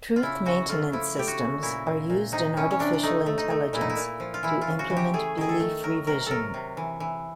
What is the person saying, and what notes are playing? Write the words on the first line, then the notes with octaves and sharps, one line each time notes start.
Truth maintenance systems are used in Artificial Intelligence to implement belief revision.
F4
C#3 E4
C#3 F#4
A3 F4
F3 E4
A3 G4
F#4
C#3
A#2 E4
A#2
A#2
C3 D#4
E3 C#4
C#4
C3 D4
D4
A3 D#4
A3
D#4
A3
A#2 E4
D#4
E4
A#2
F3
F4
E3 E4
F4
C#3
F#4
E3
G4
A3 G#4
D#3 G#4
A4
A3
F#3 A#4
C3 A#4
F#3 A4 A#4
C3
E3
E3